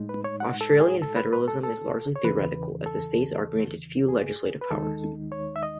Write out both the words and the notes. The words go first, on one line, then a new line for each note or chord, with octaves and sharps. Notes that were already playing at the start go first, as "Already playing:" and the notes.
Austrian federalism is largely theoretical as the states are granted few legislative powers.
Already playing: A2 G#3 D#4
B4
C#5
F#5
A4
G#4
A4
B4
B4
A4
A4
C#5
E2 C#3 E3 B4
A4
G#4
B4
D#2 D#3 G#3 D#4 A4
C#5
E5
D#5